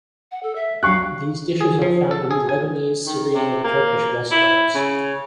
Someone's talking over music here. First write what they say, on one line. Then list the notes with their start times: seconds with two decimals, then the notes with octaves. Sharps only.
These dishes are found in Lebanese, Syrian, and Turkish restaurants.
0.31 F#5
0.43 A4
0.55 E5
0.83 F#3 D4 G4 F5 C#6 F#6
1.61 G#4
1.82 F3
2.11 A4
2.31 G#4
2.49 G#5
3.07 D#3
3.34 C3
3.64 A#3
4.32 E4
4.75 C#3